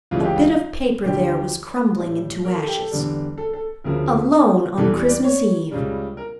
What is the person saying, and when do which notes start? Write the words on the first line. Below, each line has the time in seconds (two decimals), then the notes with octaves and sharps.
A bit of paper there was crumbling into ashes. Alone on Christmas Eve!
0.11 C#2 C#3 E3 G3 F4
0.24 G4
0.36 F4
1.05 D2 D3 G3 G4
1.98 A2 G3
2.45 A#4
2.55 A4
2.66 G4
2.77 A4
2.91 E2 D3 G3
3.38 A4
3.53 A4
3.84 D2 C#3 F3 A#4
4.78 E2 E3 G3 A4
5.09 D5
5.24 C#5
5.71 C#2 C#3 G3
6.17 A#4